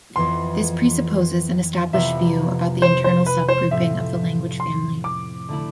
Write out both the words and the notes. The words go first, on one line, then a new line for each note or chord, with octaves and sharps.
This presupposes an established view about the internal subgrouping of the language family.
F2 E3 B3 C6
F2 C3 F3 B3 E4 E5
C5
C5
B4
C5
A2 F3 C4 E5
C6
D6
D3 A3 E4